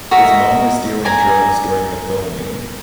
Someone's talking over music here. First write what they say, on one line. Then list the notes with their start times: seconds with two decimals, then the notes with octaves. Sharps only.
His mom was dealing drugs during the filming.
0.11 F#4 A#4 D#5 E5
1.05 D5 G#5 A#5